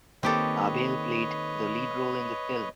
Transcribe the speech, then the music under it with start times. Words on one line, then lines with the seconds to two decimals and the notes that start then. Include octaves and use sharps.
Aabel played the lead role in the film.
0.23 D#3 A#3 C4 G4 A4 B4 C#5 D#5